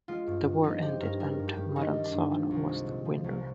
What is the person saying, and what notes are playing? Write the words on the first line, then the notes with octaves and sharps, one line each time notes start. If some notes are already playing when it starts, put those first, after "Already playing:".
The war ended and Maranzano was the winner.
G#3 F4
G2
G2
F3 D#4
G#3 G4
G2 A#4
G3 A#4
G2
G4
G2
D#3 D#4
G3
D4
G2
F3
C2
G#3
A#2
F3
C2